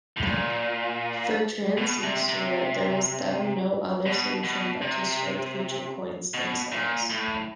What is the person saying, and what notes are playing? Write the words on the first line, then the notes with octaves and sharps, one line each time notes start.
For Transnistria there was then no other solution but to strike future coins themselves.
A2
A#2
B2
C3
C3
B2
B2
C3
B2
A#2
A2